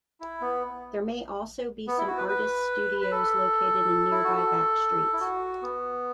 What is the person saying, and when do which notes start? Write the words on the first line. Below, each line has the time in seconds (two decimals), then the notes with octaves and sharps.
There may also be some artists' studios located in nearby back-streets.
0.20 E4
0.41 B3
1.87 B3
1.98 E4
2.07 F#4
2.18 B4
2.28 B4
3.01 B4
3.11 A4
4.11 E4
4.24 F#4
4.37 A4
5.13 E4
5.20 F#4
5.62 B3